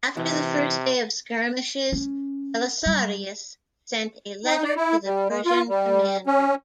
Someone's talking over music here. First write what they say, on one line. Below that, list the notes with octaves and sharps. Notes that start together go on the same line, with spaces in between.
After the first day of skirmishes, Belisarius sent a letter to the Persian commander.
C3 E3
C#4
G3
D#4
D5
E4
G3
G#3
F4
G3
C#4